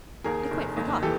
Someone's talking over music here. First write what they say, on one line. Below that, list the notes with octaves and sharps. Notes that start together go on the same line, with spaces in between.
I quite forgot!
D#2 G#4 A#4
F1
D#2
E3 G4 A4